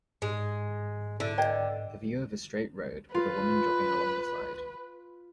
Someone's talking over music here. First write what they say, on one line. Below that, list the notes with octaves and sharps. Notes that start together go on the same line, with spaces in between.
A view of a straight road with a woman jogging along the side.
G#2 G#3
D3 E4
B4 D5 D#5 F5 G5
F4 B4